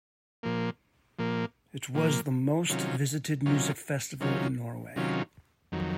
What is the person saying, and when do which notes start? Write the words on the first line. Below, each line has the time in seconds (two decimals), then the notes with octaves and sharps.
It was the most visited music festival in Norway.
0.43 A#2 F3 A#3
1.19 A#2 F3 A#3
1.95 A#2 F3 A#3
2.70 C3 D#3 F#3 C#4 F4
3.46 C3 D#3 F#3 C#4 F4
4.20 C3 D#3 F#3 C#4 F4
4.96 C3 D#3 F#3 C#4 F4
5.72 F2 D#3 F#3